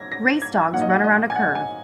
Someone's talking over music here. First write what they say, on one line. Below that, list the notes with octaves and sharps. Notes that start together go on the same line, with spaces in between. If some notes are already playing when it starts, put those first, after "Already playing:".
Race dogs run around a curve.
Already playing: G#6 A#6
A#6
G#6
A#2 F#3 A#3 D#4 F#5
D#5
F#5
D#5
G#5
F#5
G#5